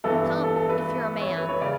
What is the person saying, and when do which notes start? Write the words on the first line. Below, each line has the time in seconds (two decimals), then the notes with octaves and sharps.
"Come--if you're a man!"
0.04 G2 E3 B3 E4 A4
0.44 A4
0.56 A4
0.69 B4
1.22 C#5
1.37 B4
1.49 C#5
1.61 C#3 D5